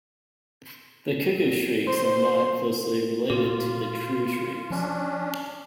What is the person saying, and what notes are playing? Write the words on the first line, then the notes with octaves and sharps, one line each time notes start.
The cuckoo-shrikes are not closely related to the true shrikes.
C5
A#2 F4 F#4
F3 C#4 D4